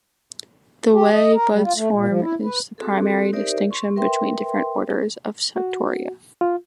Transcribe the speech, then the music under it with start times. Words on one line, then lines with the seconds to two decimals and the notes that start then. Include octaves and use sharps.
The way buds form is the primary distinction between different orders of suctoria.
0.94 G4
1.13 D#5
1.34 A#4
1.51 G3
1.64 F4
1.76 A3
1.92 A#2
2.08 F3
2.22 E4
2.42 B4
2.78 C4 F#4 G#4 A4
3.33 D#4 G4 A#4 C5 D5 E5
3.71 C6 C#6
3.96 A#4 B4 E5 G5 C6
5.56 F#4
6.41 F4